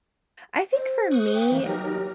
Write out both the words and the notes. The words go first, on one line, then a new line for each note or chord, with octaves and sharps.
I think for me,
C5
C#6 D#6 F#6
G5
E3 A#3
F#3 D#4 G4 A#4